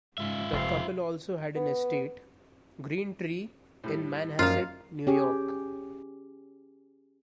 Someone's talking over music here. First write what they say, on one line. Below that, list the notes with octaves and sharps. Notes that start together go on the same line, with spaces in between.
The couple also had an estate, Greentree, in Manhasset, New York.
G#2 C#3 F4 E5
F1 F2 C5 F5
B3
A2 G3
F#2 F3 A#3 D#4 F4 F5
C#4 G4 G#4